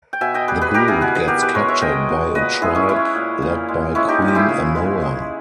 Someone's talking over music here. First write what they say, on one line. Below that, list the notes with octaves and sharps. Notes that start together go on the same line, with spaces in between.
The group gets captured by a tribe led by Queen Amoa.
G5
B2 E5 G#5
D#5 G5
G3 G#4 B4
G#4 B4
G3 G4 A#4
E4 G#4
B2 G#4 B4
G#4 B4
B2 G4 A#4
G#4 B4
G#3 A#4 C#5
C#5 E5
G#3 D#5 G5
B2
A#2 B4 D#5
G#3 E4 G#4
C#4 E4
G#3 C#4 E4
A#2
A#2
G#3
G#3 C#4 E4
D#4 G4
A#2
G4
E4 G#4
C#3
G#3
G#3